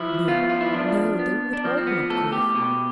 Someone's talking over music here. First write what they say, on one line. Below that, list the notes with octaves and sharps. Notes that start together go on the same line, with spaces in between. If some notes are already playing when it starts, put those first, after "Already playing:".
No, no, they would augment grief.
Already playing: F3 E4
B3 F4
F4
E4
F3 D4
B3
D4
F3 C4
C4
B3
A2 A4
G4
B2